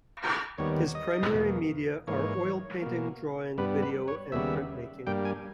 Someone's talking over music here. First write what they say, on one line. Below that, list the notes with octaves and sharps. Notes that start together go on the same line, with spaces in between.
His primary media are oil painting, drawing, video and printmaking.
D#2 D#3 G3 B3 C#5
D#5
E2 B2 A#3
G#2 E3 A#3 C#5
B2 A#3
G2 G3 B3 B4
B4
C#5
D#2 C#3 G3 B3 E5
G2 G3 A#3 G5
G#5